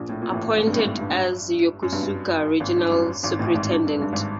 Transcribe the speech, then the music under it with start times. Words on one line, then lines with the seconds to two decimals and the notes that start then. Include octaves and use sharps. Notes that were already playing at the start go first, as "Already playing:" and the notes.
Appointed as Yokosuka Regional Superintendent.
Already playing: A#1 A#2
0.09 A2
0.22 A#2
0.32 A1 A2
0.56 G#1 G#2
0.67 G2
0.72 A2
0.77 G#1 G#2
0.99 G2
1.09 G2
1.83 F#2
1.92 G2
2.03 G2
2.60 G#1 G#2
2.76 G2
2.92 F#2
3.23 G#1 G#2
3.39 A1 A2
3.55 G#1 G#2
3.70 G2
3.87 G2
3.96 G#2
4.02 G2
4.12 G#1 G#2